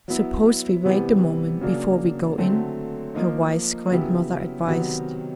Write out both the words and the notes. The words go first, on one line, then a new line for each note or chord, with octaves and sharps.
"Suppose we wait a moment, before we go in?" her wise grandmother advised.
F#3 B3 E4
C3 E3 G3 B3
C#3 F#3 A#3 D4
D3 F#3 A3 C4
F3 A#3 D#4
C#3 F#3 B3 E4 G4
C3 D#3 F#3 B3